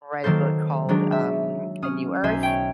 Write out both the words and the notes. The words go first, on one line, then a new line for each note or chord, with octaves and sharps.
write a book called, um, A New Earth,
D#3 F#3 A#3 A4 C5
D#3 F#3 G#3 D4
E5
C#4 D#6 F6
B1 C5 E5 G#5
C#5 G5